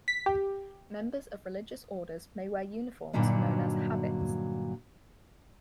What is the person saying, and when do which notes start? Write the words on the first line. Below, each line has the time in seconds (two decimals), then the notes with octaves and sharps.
Members of religious orders may wear uniforms known as habits.
0.08 B6
0.26 G4
3.13 G2 A#2 D3 F#3 C#4 D#4